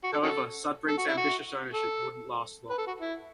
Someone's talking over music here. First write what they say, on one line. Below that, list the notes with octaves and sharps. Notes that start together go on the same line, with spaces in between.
However, Sudbrink's ambitious ownership wouldn't last long.
F#4
A4
C#4 F#4 A4
A4
F#4
E4
F#4
A4
B4
A4
F#4
E4